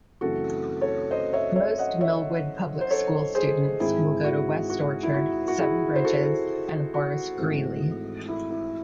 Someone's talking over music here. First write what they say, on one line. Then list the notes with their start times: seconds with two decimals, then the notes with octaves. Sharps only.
Most Millwood public school students will go to Westorchard, Seven Bridges, and Horace Greeley.
0.21 F#2 C#3 E3 A3 C4 F#4 A4
0.81 A4 C#5
1.11 C5 D#5
1.33 C#5 E5
1.56 C#5 E5
1.78 D#5 F#5
2.01 C#5 E5
2.81 C5
2.90 A4 C#5
3.35 G#4 C5
3.80 G#1 G#2 D#3 E4 G#4
4.24 F#4
4.70 F#4
5.03 E4
5.14 F#4
5.48 F#4
5.59 E4 G#4
5.96 C5
6.05 F#4 A4
6.94 F#4
7.38 G#1 G#2 E3 A3
8.29 E4
8.51 E4